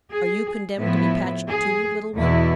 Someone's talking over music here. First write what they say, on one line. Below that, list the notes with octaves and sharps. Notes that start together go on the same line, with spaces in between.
"Are you condemned to be patched, too, little one?"
G#4
A2 F3 B3 E4
G#4
E2 B2 B3 E4